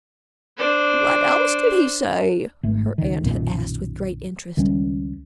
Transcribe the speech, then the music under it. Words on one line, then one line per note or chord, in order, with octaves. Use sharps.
"What else did he say?" her aunt had asked, with great interest.
D4 C5
G#1 A3
C#2 D#3
B1 F#2 A#2 D#3
C#2 D#3 G3 C#4